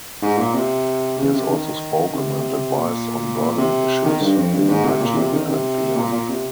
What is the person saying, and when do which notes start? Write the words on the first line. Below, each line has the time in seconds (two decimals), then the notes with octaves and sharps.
He has also spoken and advised on burning issues in Nigeria and beyond.
0.22 G#2
0.38 A#2
0.54 C3
1.18 C#3
1.34 C3
1.50 D#3
2.14 C3
2.78 A#2
3.41 A#2
3.57 C3
4.06 D#3
4.22 G2
4.37 F2
4.53 G2
4.69 G#2
4.85 C3
5.01 A#2
5.17 C3
5.33 D#3
5.49 C3
5.97 A#2
6.13 A#2
6.30 C3